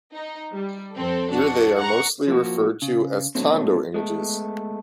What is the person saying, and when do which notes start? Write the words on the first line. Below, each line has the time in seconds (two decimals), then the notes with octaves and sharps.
Here they are mostly referred to as tondo images.
0.15 D#4
0.54 G3
0.96 F2 C4 A4
1.33 D4 F#4
1.77 F#5 A#5 C#6
2.28 F3 A#3 F#4
2.82 C#3
3.35 G#2 B2 D3 F#3 A3 C4
3.94 G#3 A3 B3